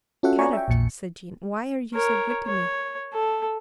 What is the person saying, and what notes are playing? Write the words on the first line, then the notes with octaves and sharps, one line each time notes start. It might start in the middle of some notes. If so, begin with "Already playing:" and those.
"Kadok," said Jean, "why are you so good to me?"
C#4 F4 F#4 A4 E5 F#5
C#5 D5 G#5 A#5 C#6
E5 G5
A#1 E2 A#2 C#7
A#4 C#5
C#5
A4